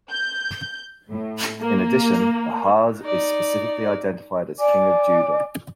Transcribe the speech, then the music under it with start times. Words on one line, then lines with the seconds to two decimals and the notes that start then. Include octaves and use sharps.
In addition, Ahaz is specifically identified as king of Judah.
0.10 G6
1.10 A2
1.61 A#3
3.02 D#4 D5
4.59 D5 G#5 D6